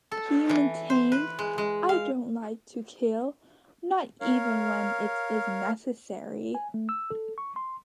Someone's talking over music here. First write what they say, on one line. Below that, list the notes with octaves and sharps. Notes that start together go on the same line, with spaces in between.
He maintained: "I don't like to kill... not even when it is necessary".
A4
E3
C5
B4
G#3
G#3
F5
A#4 C#5 F5
G#5
A3
E6
A4
C#6
C6